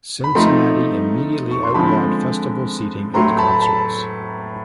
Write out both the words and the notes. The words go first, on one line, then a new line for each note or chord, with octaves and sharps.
Cincinnati immediately outlawed festival seating at concerts.
B5
F3 A3 C4 D#4 A#5 C6
C#6
C6
D3 F3 G#3 C4 A5 B5
A2 F#3 A3 A#5 C6
A#5
A5 B5
A5 B5